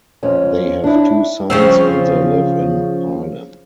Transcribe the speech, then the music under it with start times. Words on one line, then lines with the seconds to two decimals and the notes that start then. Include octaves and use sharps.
They have two sons and they live in Harlem.
0.23 F2 C#4
0.84 D4 E4
1.50 C#3 F3 C4